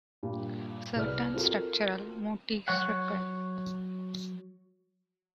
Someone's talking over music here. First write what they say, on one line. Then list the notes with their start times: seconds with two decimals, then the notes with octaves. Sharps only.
Certain structural motifs recur.
0.23 G2 A#2 G3
0.95 C2 G#4 B4 D5 F6
1.34 C4 F4 F#4 A4 A#4
2.68 F#3 C#5 F#5